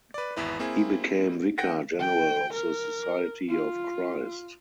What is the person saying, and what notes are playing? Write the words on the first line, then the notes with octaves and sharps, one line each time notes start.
He became vicar general of the Society of Christ.
B4 D5
G#1 E2 E4 B4
A#3 C4 E4 G#4
F#5 G5 A#6 D7
G5
A#4
F4